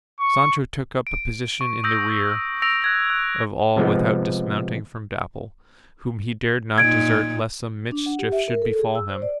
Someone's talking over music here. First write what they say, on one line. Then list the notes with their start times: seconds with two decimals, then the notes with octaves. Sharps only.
Sancho took up a position in the rear of all without dismounting from Dapple, whom he dared not desert lest some mischief should befall him.
0.19 C#6
1.07 D7
1.61 C#6
1.84 D#6 E6 G6 A#6 D7
2.62 E6 A#6 D7 F7
2.82 F#6 G#6 A#6
3.10 F#6
3.76 C3 F3 G#3 B3
6.78 A#2 D#4 G#6 D7
7.92 D4
8.06 F#5
8.19 G4
8.32 E5
8.48 A#4
8.62 A4
8.79 G#4
8.95 E6
9.09 C5
9.22 D5